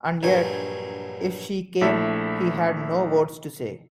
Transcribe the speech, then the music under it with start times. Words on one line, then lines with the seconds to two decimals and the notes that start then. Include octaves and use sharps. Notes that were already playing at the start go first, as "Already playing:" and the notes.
And yet if she came he had no words to say.
0.23 A#1 G2 F#3 G#5
1.81 A#1 A3 E4 A4 E5